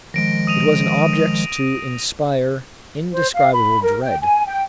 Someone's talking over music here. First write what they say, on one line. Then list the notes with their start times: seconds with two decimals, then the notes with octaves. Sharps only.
It was an object to inspire indescribable dread.
0.14 D#3 F3 G#3 A#6 D7
0.47 D#6 D#7 F7
3.13 C5
3.34 F5
3.52 B5
3.83 A#4
4.03 G5
4.22 G#5
4.45 G5